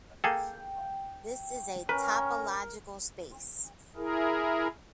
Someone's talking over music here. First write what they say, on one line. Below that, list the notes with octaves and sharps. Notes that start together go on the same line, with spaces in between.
This is a topological space.
A#3 G#4 A4 G5
C#4 A#4 B4
E4 G#4 A#4